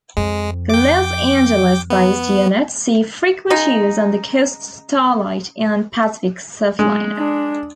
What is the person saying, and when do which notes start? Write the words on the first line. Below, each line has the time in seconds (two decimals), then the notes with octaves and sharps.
The Los Angeles-based units see frequent use on the "Coast Starlight" and "Pacific Surfliner".
0.17 F2 G#3
0.70 G5 D6
1.90 B3
3.50 C#3 G#3 D#4
6.79 G#3
7.17 D4